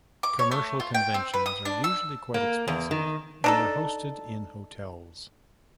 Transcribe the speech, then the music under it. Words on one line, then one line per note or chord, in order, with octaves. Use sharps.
Commercial conventions are usually quite expensive and are hosted in hotels.
D6
C#5
A3
F4
G5
C4
B4
D#6
D4
E6
A#3
E2
D#3
D4 D#4 A4